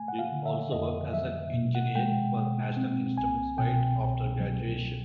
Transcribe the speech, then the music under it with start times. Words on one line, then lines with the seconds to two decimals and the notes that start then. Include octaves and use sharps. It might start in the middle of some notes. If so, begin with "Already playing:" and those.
He also worked as an engineer for National Instruments right after graduation.
Already playing: A3 G#5
0.08 F#5
0.19 F5
0.32 D3
0.46 E5
0.72 F2 D#5
1.13 F#3 E5
1.54 B2
1.75 F#5
1.96 G#3 G5
2.35 B2
2.77 C4
3.17 C2 G#5
3.58 B2 G5
4.00 C2
4.40 F#3